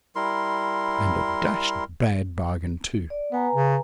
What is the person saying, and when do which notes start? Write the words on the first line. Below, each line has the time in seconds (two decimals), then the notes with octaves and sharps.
'And a dashed bad bargain too.
0.16 G3 E4 A#4 C6
3.10 D5
3.32 B3 B4 G#5 A#5
3.55 C#3